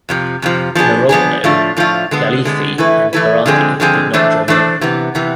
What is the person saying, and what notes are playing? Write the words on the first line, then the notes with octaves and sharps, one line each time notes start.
Merogno, Galifi and Corradi did not join in.
F2 C3 F3
F2 C3 F3
F3 B3 D4 G#4
F3 B3 D4 G#4
A2 F3 A3 D4 F4
A2 F3 A3 D4 F4
D3 G#3 B3
D3 G#3 B3
E3 A3 E4 B4
E3 A3 E4 B4
D3 F3 G#3 C4 G#4
D3 F3 G#3 C4 G#4
E3 A3 D4 A4 C5
E3 A3 D4 A4 C5
C3 E3 B3
C3 E3 B3